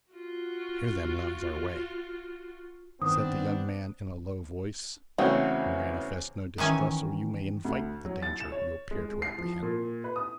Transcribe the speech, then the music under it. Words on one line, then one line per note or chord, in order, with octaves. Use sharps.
"Here, then, lies our way," said the young man, in a low voice. "Manifest no distrust, or you may invite the danger you appear to apprehend."
F4 F#4
G2 D#3 B3 C4 D4 D#6
E2 C#3 A3 C4 F#4 C#5
D#3 E3 C#4 G#5
D2
F#3
A6
E7
C#5
G#3
G#3
C7
F3
A#2
B4
D#6